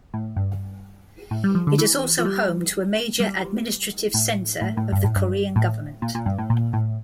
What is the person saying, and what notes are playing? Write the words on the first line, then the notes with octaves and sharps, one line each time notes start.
It is also home to a major administrative center of the Korean government.
A2
G2
A2
G3
F3
D3
E3
F3
G3
G3
A2
A2
A2
G2
A2
G2
A2
A#2
A#2
G2
A2
A#2
A2